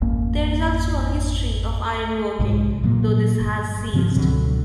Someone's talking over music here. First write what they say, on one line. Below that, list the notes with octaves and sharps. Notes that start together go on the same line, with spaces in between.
There is also a history of iron working, though this has ceased.
G#1 F2 A#3 C#4
B1 G#2 C3 G#3
A#2 F#3 A#3
G1
G#2 C#3 F3 C4
C#2 B2 D3 F#3